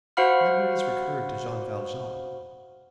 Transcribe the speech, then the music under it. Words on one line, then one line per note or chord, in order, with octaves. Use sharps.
Memories recurred to Jean Valjean.
F#4 C5 F5 F#5 B5 F6